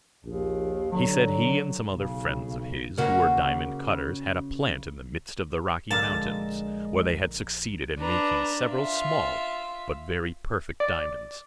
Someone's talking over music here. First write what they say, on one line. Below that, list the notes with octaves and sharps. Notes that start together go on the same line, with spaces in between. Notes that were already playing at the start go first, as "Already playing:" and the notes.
He said he and some other friends of his, who were diamond cutters, had a plant in the midst of the Rocky Mountains, where they had succeeded in making several small, but very perfect diamonds.
A#1 D#2
D3 F#3
B1 C#3
C#3 A#3 F#4
A#1 D3 G#3 A#3 A5 A#5
D4 B4 A#5
F4 E5
D5